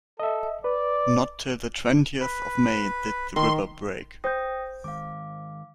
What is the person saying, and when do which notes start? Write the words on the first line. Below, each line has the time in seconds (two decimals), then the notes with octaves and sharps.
Not till the twentieth of May did the river break.
0.20 A4 D#5 E5
0.64 B4 D5
2.20 B4
3.36 D#3 C6
4.24 C5 G5 D#6 G6 A#6
4.84 D#3 G#3 F5 D6